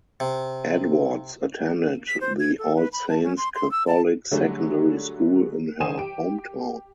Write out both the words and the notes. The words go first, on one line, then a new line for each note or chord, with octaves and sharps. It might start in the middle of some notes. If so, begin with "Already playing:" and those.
Edwards attended the All Saints Catholic Secondary School in her hometown.
C3
B6
C5
G#6
A4
B4
B5
A5
C#4
C6
C6
E6
A5
D3 F#3 G3 A3 G#4
D#3 C5 G#5 D#6 D#7 E7
G4 D7